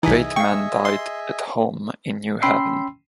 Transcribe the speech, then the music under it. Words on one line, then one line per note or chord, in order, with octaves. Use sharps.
Bateman died at home in New Haven.
C2 E3 D#4 G#4 D#5 E5 G#5 B6
F5 G5 C#6
C6
C#4 G5 B5 C6 E6 C7